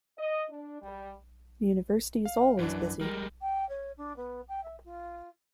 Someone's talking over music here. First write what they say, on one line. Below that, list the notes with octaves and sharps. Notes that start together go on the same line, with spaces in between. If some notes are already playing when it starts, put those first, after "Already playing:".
The university is always busy.
D#5
D4
G3
F5
F#2 E3 D4
G3 G#3 A#4
G5
C#5
D4
B3
G5
E5
F4